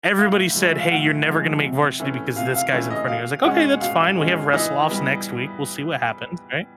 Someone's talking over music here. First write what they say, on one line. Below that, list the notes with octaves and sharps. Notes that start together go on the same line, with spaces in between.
everybody said, "Hey, you're never gonna make varsity because this guy's in front of you." I was like, "Okay, that's fine, we have wrestle offs next week, we'll see what happens," right?
A2 F5
F3 G#3
E5
F5
A2 F#5
F3 G#3
C3
E3 A3 C#4
C3 F5
F5
E3 A3 C#4
D#5
B2 F5
G#3 C#4 F#5
B2 F5
G#3 C#4
E3 D#5
G3 B3